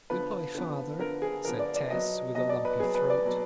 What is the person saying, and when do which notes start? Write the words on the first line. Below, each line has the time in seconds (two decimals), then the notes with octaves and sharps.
"Goodbye, father," said Tess, with a lumpy throat.
0.10 D3 F3 B3 B4
0.55 D3 F3 B3
0.99 D3 F3 B3 A#4
1.22 G#4
1.45 D3 F3 B3 A#4
1.59 D5
1.76 D5
1.91 B2 F#3 B3 D#5
2.35 B2 F#3 B3 D#5
2.49 D5
2.65 B4
2.80 B2 F#3 B3 G#4
2.95 B4
3.10 D5
3.25 B2 F#3 B3